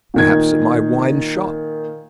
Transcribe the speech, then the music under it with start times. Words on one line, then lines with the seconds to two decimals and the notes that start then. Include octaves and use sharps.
"Perhaps at my wine-shop?"
0.14 A#2 D#3 G#6